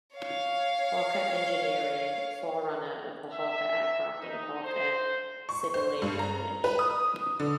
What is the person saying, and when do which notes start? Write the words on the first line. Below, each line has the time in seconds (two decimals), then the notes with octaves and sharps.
Hawker Engineering, forerunner of the Hawker Aircraft and Hawker Siddeley lineage.
0.17 C#5 F5
3.32 E5
4.20 D#4
4.63 C5
5.49 C#6
5.74 C5
6.02 G2
6.19 A#5
6.64 B4
6.79 D#6
7.40 D3